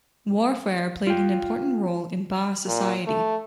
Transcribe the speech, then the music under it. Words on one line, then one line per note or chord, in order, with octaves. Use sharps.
Warfare played an important role in Ba society.
F4 G5
A#2
A3